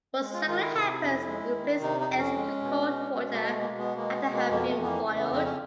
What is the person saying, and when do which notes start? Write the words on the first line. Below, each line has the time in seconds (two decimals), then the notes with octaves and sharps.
What exactly happens if you place eggs into cold water after they have been boiled?
0.20 G#3
0.33 F4
0.48 D#3 F4
0.61 E4
0.74 C3
1.02 F2
1.28 G#3
1.55 D#3
1.81 C3 D#4
2.00 D#4
2.09 F2
2.18 C#4
2.36 G#3
2.62 B2
2.89 G#3
3.16 B2
3.33 A#3
3.43 G#3 A3
3.61 A#3
3.70 B2
3.78 B3
3.96 G#3 A#3
4.14 B3
4.24 B2
4.33 A#3
4.50 F2 A#3
4.69 A3
4.78 E3 B3
4.86 A#3
5.04 C#3
5.18 B3
5.31 F2 C4
5.44 C#4